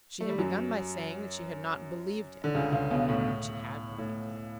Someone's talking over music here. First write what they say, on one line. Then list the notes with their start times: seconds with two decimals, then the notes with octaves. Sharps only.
She had begun by saying that she had not believed it;--but she had believed it.
0.21 A3
0.30 G3
0.38 F#2 F#3
2.44 D3
2.55 C#2 C#3
2.72 C#2 C#3
2.91 B1 B2
3.09 A2
3.98 A2